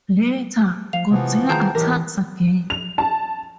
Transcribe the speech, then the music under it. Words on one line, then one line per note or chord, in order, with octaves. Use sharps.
Later, Godzilla attacks again.
F3 F5 F7
C3 E3 F3 B3
D#3 F4 G#4 G5 A5 A#5 G6
A2 D#3 E3 G4 A#4
F7
A5